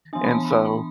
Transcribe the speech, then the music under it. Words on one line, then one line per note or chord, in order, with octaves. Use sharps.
and so
E3 B3 D4 G#5
B5
A5
B5